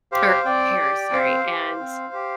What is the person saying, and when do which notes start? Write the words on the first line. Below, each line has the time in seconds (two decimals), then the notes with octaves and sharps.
or, Paris, sorry, and
0.12 G4 C5 F5
0.45 C4 D5 G5
0.79 G4
1.12 C4 C5 F5
1.46 G4
1.79 C4
2.13 G4